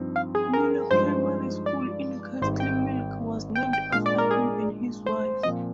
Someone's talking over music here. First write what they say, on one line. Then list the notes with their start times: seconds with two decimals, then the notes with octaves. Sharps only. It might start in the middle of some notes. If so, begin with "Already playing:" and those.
Miller Primary School in Castlemilk was named after him and his wife.
Already playing: G2 F3 C4 D#4
0.16 F5
0.35 G#4
0.53 A#4
0.91 G2 F3 G#3 D#4 C5
1.66 D5
2.41 G#1 G#2 G3 C5
2.60 G5
3.56 G5
3.73 G5
3.92 A#2 G#3 D4 F5
4.06 D5
4.18 A#4
4.31 G#4
5.06 C5
5.43 A#2 F3 C4 D#5